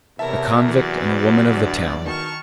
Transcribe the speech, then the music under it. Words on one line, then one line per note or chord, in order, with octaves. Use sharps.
A convict and a woman of the town.
E2 C3 E4 A#4 C#5 E5 A5
C3 E3 F#3 F#4 D5
G1 D4
D#3 F#4 A5 C#6 F6